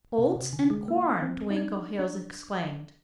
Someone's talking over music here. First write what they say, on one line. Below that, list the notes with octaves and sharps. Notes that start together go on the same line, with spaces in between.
"Oats and corn!" Twinkleheels exclaimed.
C3
C3
D3
G#3
A#3
C4
D#4
D4
D4